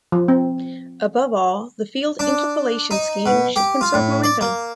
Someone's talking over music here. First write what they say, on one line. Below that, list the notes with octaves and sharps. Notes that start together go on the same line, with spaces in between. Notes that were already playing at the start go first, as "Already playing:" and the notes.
Above all, the field interpolation scheme should conserve momentum.
F3
C4
D4
D#4
B2
G4
F4
A2
D5
A#3